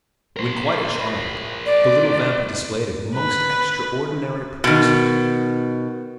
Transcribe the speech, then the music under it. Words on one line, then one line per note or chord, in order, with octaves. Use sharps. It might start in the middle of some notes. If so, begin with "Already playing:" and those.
When quite a child, the little Vampa displayed a most extraordinary precocity.
A#4 C5
D5
B4
B2 D#3